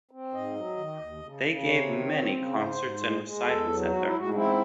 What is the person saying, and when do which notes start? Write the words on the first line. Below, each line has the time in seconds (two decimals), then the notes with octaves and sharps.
They gave many concerts and recitals at their home.
0.11 C4
0.33 G#2 D#5
0.55 F#3
0.77 D#3
1.00 D#2
1.22 C#3
1.44 C#3
1.66 C3 C#5
1.88 D#3
2.11 C4
2.33 C#3
2.56 G#2 C5
2.78 G#2
3.01 G#3
3.23 G#3
3.45 E2 A4
3.68 F#3
3.89 G#2 F#4
4.03 E4
4.12 G#2
4.18 F#4
4.34 C4 E4